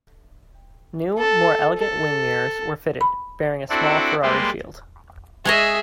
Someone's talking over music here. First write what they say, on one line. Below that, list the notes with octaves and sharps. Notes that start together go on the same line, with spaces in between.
New, more elegant wing mirrors were fitted, bearing a small Ferrari shield.
A4
A4
B5
C4 D4 E4 F#4 A4 D5
G3 G#3 A#3 G4 B4 C5
G#3 G#4 C#5 D#5 E5